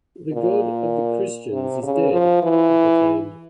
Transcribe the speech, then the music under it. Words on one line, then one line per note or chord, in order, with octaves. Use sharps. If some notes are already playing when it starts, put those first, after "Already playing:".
"The God of the Christians is dead," he proclaimed.
A#2
C3
C#3
F3
E3